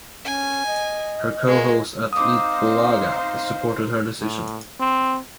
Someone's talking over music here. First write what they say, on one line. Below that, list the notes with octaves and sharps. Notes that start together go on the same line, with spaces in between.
Her co-hosts at "Eat Bulaga" supported her decision.
C#4 G#5
D#5
G#3 A#3
C4 D#4 C5 F5 D6 D#6
A2
C4